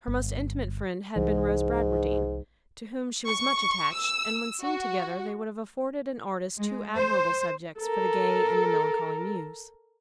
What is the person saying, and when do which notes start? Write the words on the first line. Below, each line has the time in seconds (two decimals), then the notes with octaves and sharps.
Her most intimate friend had been Rose Bradwardine, to whom she was much attached; and when seen together, they would have afforded an artist two admirable subjects for the gay and the melancholy muse.
0.08 G1
1.16 C2 G#2 E3
3.27 C#6
3.94 E6
4.61 F#4
6.57 G#3
6.96 C5
7.80 A4 A#4